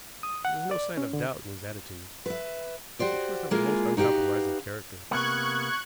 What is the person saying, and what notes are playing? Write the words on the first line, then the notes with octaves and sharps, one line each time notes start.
There was no sign of doubt in his attitude, which was of a most uncompromising character.
D#6
F#5
D5
C#4
D3
B4 E5
F#4 G4 C5 D5
G#3 A#3 E4 F4 G#4
D#4 F#4 G4 B4 F5
C3 A#3 B3 C#6 F#6 G#6